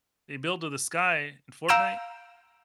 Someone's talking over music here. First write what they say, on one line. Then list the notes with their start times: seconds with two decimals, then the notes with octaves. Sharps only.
They build to the sky in Fortnite?
1.68 F5 A#5 E6 G6 D7 E7